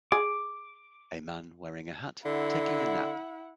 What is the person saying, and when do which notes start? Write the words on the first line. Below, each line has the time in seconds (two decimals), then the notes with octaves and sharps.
A man wearing a hat taking a nap.
0.12 G#4 D6
2.26 D3 E4 F#5